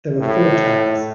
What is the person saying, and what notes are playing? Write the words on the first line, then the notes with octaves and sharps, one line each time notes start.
There are four towers.
A2